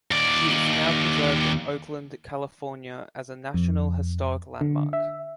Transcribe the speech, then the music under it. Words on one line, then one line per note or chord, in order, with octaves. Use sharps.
She is now preserved in Oakland, California, as a National Historic Landmark.
D#2 D5
F2
D3
E5